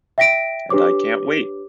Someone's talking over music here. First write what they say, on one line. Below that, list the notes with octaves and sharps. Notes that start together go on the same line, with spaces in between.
And I can't wait!
E5 G5 A#6 B6 D7
D4 G4 B4 C#5 D6